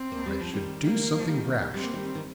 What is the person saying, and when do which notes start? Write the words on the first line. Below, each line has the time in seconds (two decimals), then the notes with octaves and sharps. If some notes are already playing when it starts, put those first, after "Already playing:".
"I should do something rash."
Already playing: C4
0.12 A#3
0.26 G3
0.40 F3
0.53 D#3 G3
0.82 A#3
1.19 F3
1.27 D#3 G3
1.74 G3 C4
1.84 A#3
1.93 D#3 G3
2.15 D#3